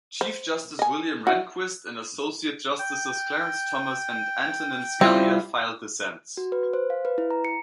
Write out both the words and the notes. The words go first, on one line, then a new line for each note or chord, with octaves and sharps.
Chief Justice William Rehnquist, and Associate Justices Clarence Thomas, and Antonin Scalia filed dissents.
C5
D#5 G#5
E4 F#4
G5
G3 C4 E4 F4 G4
F#4
B4
C5
F5
B4
E4
A#5
C#7